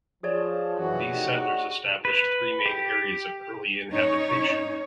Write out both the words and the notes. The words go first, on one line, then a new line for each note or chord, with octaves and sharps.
These settlers established three main areas of early inhabitation.
F3 G#4 C#5 D5
F#2 E3 F#4
A#3 D#4 G4
B4
G4
C#4 D#4 C#5